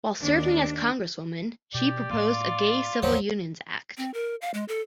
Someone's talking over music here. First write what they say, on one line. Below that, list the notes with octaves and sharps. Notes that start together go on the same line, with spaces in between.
While serving as Congresswoman she proposed a gay civil unions act.
D#2 D4
B2 G4 D5
A2 F#3 B3 F4
A1 E2 G2 F3 F#3 G4
C4
A#4
F5
G#3
A4